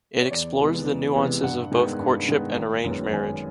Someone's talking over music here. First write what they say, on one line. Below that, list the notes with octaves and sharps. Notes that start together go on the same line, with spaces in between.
It explores the nuances of both courtship and arrange marriage.
C#5
E2 D5
C3 E3 G#3 B3
E2
C3 E3 G#3 B3
G2 F#5
D#3 G#3 B3
G2
D#3 G#3 B3
G#1
F#2 D#3 G#3 B3
G#1 G#5